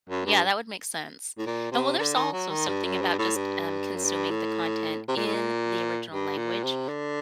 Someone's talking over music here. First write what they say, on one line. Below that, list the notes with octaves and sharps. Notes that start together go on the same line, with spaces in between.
yeah that would make sense, and well, there's also something about just, um, consuming the content in the original language,
F#2
G2
A2
A#2
C3
D3
D#3
F#3
D#3
G2
F#2
G2
A2
G2
F#2
G2
A2
C3
A#2
A2
A#2
G2
A#2
C3
D3